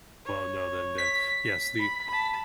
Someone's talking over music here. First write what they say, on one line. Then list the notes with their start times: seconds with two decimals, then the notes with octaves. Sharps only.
Well, no, then then Yes, the
0.25 C#5
0.98 B6
1.79 B5
2.08 A5 B5